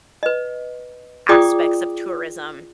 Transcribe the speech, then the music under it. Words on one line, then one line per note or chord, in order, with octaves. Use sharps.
aspects of tourism,
B4 D#5
F4 G#4 D5 G5 D6 D#6